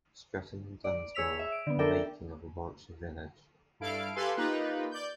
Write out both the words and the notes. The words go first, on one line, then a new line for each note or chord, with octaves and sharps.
"Stretton on Dunsmore: The Making of a Warwickshire Village".
D5
G#4 C#5 E6 B6 F7
E5
D7
D3 B3
D4 A4 A#4 D5 E5 G5
G2 E4 A4 F5 D7
G4 A4 B4 F5 G#5 C6
A#3 D#4 F4 G4 B4
D5 G6